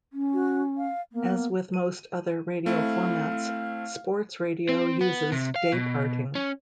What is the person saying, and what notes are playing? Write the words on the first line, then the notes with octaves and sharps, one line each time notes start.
As with most other radio formats, sports radio uses dayparting.
C#4
F#4
F5
A#3 B3
D#7
A3 C4 E4 F5
C4
B3
C3
F5
B2
C#4